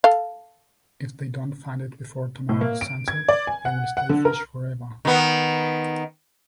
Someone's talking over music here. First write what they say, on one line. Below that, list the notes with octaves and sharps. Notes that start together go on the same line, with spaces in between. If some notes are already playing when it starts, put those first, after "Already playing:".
If they don't find it before tomorrow's sunset, they will stay fish forever.
A4 F5
A2
A#3
D7
G#6
D5
G#5
F#5
F#5
D3
A#4
D#3 B3